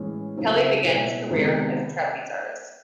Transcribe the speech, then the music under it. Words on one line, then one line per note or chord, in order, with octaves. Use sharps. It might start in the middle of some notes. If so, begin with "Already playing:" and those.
Kelly began his career as a trapeze artist.
Already playing: A2 E3 G#3 C#4
C#3 F#3 A3 C4 E4
B2 F#3 B3 E4
C3 D#3 G#3 B3